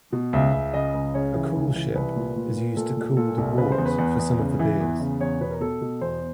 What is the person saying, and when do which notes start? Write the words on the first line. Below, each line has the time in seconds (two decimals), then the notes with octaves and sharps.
A coolship is used to cool the wort for some of the beers.
0.12 B2
0.33 C#2 E5
0.53 C#2
0.73 C#3 D#5
0.94 C#2
1.14 C#3 C#5
1.35 E3
1.55 C#2
1.75 E3
1.95 C2 B4
2.16 A#2
2.36 A#2
2.56 A#2
2.77 A#2 A4
2.97 A#2
3.17 A#2 A4
3.38 C2
3.58 C#3 B4
3.72 C5
3.78 E2
3.85 B4
3.98 E2
4.19 E2
4.38 C#3
4.59 E3
4.80 E2
5.00 C#3
5.20 E2 C#5
5.41 B2 B4
5.51 A#4
5.61 B2 A4
5.81 B2
6.01 E2 C5